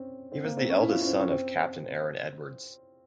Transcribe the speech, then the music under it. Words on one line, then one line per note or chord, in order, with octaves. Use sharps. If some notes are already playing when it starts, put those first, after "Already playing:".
He was the eldest son of Captain Aaron Edwards.
Already playing: C4 C#4
C4
A#3
C4
C#4
E4
F4
E4
C#4
C4
C#4
C4